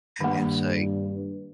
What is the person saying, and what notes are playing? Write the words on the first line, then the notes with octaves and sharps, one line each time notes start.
and say
G2 D#3 A#3